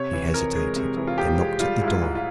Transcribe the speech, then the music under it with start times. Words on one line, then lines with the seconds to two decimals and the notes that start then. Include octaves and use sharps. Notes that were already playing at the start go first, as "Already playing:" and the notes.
He hesitated, then knocked at the door.
Already playing: C3 C#5
0.13 E3
0.34 F2 A#4
0.55 G#3
0.76 C3
0.97 E3
1.07 F4
1.18 F2 G4
1.39 G#3
1.59 G3 F4
1.81 G#2 E4
1.88 F4
2.02 G#2
2.15 F4